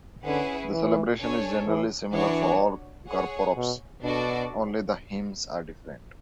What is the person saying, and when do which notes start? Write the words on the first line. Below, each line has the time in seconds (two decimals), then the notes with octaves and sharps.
The celebration is generally similar for all Gurpurabs; only the hymns are different.
0.24 D3 C#4 E4 G#4 B4 F#5
0.72 E3
1.20 D4 A4 C#5 G#5
1.67 E3
2.14 E3 D4 F#4 C#5 F#5
3.09 G#4 C#5 F#5
3.57 B2
4.03 B2 D4 F#4 A4 D5